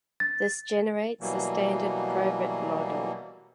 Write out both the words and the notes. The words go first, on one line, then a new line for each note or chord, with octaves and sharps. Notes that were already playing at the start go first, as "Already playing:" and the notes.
This generates the standard probit model.
A6
B2 E3 F#3 G3 A#3